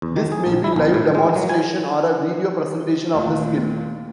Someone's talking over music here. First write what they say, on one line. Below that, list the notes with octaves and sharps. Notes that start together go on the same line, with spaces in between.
This may be live demonstration, or a video presentation of the skill.
E2
D#3
G#4
A#1
E4
B1
A2
G#3
F#3
G#5
D#2 A#2 A3 A#3